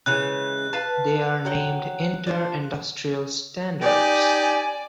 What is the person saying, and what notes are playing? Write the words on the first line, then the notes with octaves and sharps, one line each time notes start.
They are named inter-industrial standards.
C#3 E3 G#3 F#6
B4 F5 A5
F#3 F#5 G5
D4 F4 C5
D#4 G4 D5 G#5